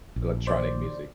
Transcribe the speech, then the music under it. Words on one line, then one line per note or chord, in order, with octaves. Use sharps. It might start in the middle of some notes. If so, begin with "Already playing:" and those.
electronic music.
A#1
C5 D5